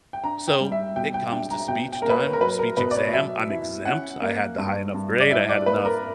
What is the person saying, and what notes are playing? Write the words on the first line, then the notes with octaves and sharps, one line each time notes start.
So it comes to speech time, speech exam, I'm exempt, I had the high enough grade, I had enough
G5
D4 A#5
G5
G3
E5
B2 G5
G5
D4 G5
A#5
B2 G5
G5
A#3 A#4
B4
C#5
A#4
F#3 B4
A#4
B2 B4
D5
C#5
F#3 E5
E4
C#4 F#5
A#3
G2
G2
D5
E4 E5
D5
A#3 B4
A#4